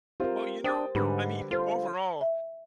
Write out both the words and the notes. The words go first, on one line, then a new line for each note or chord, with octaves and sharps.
Well, you know I mean, overall,
C4 F4 G4 A#4 C5
D4 C5 G5 D#6 A6
G#2 D3 G3 B4
F4 A4 C5
E5